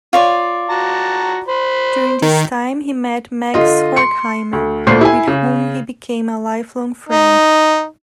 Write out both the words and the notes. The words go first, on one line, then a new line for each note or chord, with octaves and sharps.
During this time he met Max Horkheimer, with whom he became a lifelong friend.
F4 C#5 D5
F#4 A5 A#5
C5 B5
D#3
D3 F4 D#5
C6 C#7
D2
D2 A#2 D4 C5 C7
E4 G#5
C#3
D#4